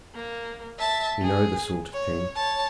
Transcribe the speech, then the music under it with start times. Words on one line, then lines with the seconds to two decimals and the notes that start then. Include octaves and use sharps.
You know the sort of thing.
0.14 A#3
0.78 E5 A5
1.21 G#4
1.93 C#5
2.36 C#5 A5